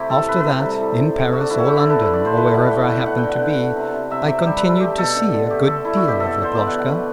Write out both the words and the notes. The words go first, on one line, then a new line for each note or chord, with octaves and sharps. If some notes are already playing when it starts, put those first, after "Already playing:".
After that, in Paris or London or wherever I happened to be, I continued to see a good deal of Laploshka.
Already playing: C3 A3 E4 G4
A2 A4
C3 B4
B4
C3
A4
G3
A2
A2
A2
D3 F#4
D4
D3 E4
F#4
D3 G4
A4
D3
B4
A3 B4
D5
D3
C5
A2 B4
A2 F#5
A3 G5
B2 F#5
D3 F#5
G5
D3
F#5
D3
D3
C3
C3
C3 E5
C3 D5
G3 G4
B4
C3
A4
A3 G4
B2 A4
D3
D3
A3 G4
D3 A4
A3 E4
F#4
B2 G4
D3 A4
D3 C5
B2 D5
F#5
B2
F#5
A3